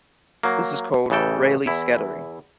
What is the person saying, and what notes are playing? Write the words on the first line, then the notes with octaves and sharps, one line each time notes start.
This is called Rayleigh scattering.
F#3 A#3
A1 C#3 E3 A4 G5
E2 E4